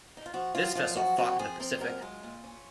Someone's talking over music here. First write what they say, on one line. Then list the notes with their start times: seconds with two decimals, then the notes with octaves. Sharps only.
This vessel fought in the Pacific.
0.17 D#4
0.26 F4
0.34 F3 F#4
0.55 F#2 F4
0.75 F3 F4
0.97 F#2 F#4
1.18 C4 F#4
1.39 F3 G#4
1.60 C4 A#4
1.80 F#2 A#4
2.02 G#3 F4
2.23 A#2
2.44 C#4